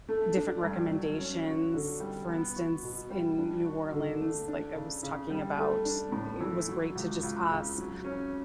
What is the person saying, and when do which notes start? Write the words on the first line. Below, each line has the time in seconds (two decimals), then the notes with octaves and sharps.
different recommendations. For instance, in New Orleans, like I was talking about, it was great to just ask
0.09 A3
0.36 D4
0.63 G2
0.90 F#3
1.18 C#4
1.46 F#4
1.74 D3
2.00 G3
2.29 B3
2.56 F#4
2.83 B2
3.10 G3
3.38 D4
3.65 F#4
3.93 D3
4.21 A3
4.48 D4
4.75 C#3
5.03 C#3
5.30 G3
5.58 A3
5.85 D4
6.12 A2
6.41 E3
6.68 F#3
6.95 C#2
7.23 C#2
7.50 C#3
7.78 F#3
8.05 C#4